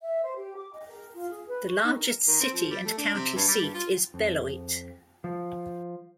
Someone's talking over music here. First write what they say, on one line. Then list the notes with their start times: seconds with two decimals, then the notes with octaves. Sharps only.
The largest city and county seat is Beloit.
0.02 E5
0.23 C5
0.37 G4
0.56 D6
0.73 D#5
0.89 A#4
1.14 F4
1.30 G#4
1.48 B4
1.67 C#6
1.84 D#4
1.96 A#4
2.27 D#3
2.40 C4
2.53 F3
2.70 G3
2.85 A3
2.98 D4
3.14 C3
3.35 G2
3.47 G3
3.61 G2
3.74 F4
4.14 F2
5.24 F3